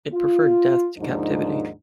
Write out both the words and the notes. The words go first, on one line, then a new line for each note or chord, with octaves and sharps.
It preferred death to captivity.
F4
D#2 G#2 F3 D4 D#4